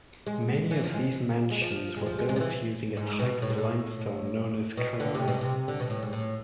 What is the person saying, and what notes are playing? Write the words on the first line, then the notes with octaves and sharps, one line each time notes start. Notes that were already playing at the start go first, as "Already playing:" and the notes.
Many of these mansions were built using a type of limestone known as karai.
G#3
E3
F3
G#3
G#3
F3
G#3
F3
G#3
G#3
F3
E3
G#2
B2
A2
G#2
A2
B2
D3
C3
B2
C3
D3
B2
A2
G#2
A2